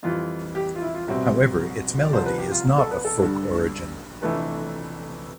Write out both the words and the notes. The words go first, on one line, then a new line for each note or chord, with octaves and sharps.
However its melody is not of folk origin.
F2 E3 G3 F4
G4
F4
E4
F4
C2 B2 G3 C4 E5
D5
C2 C3 F3 C5
B4
G4
F4
A4
B4
A4
G2 D3 G3 D4
F1 F2 E3 A3 D4 B4